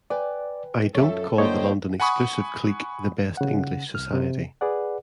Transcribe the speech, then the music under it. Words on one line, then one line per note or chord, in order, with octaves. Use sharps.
I don't call the London exclusive clique the best English society.
B4 D5 G5 G#5
F#2 F4 A4 C#5 E5
D3 A#3 E4 C5 C#5 D#5 G5
F#5 G#5 B5 C#6 D#6
C#3 F#5
C2 F6
C3
G#4 B4 D5 F#5